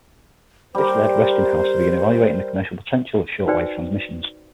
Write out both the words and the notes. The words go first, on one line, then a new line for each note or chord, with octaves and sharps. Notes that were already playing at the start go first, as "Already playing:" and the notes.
This led Westinghouse to begin evaluating the commercial potential of shortwave transmissions.
G3 A#4 C5
D#4 F#4 B4 C5 D5 G5